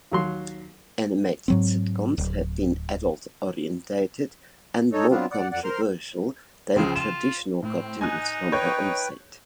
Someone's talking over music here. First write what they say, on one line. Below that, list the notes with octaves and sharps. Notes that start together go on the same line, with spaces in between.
Animated sitcoms have been adult-oriented and more controversial than traditional cartoons from the onset.
D#2 F#3 C6
G#2 F#3 C4
D1
D#4 A4 C#5
F#3 B3 C4 D4 F4
D5 F#5
F2 D5 F#5
A#4 C5 C6 F6
C#2 C#3 F3 G#3 C4
F4 E7
A2 C4
D#4 G#5 F#6
B4 C#5 G5 G6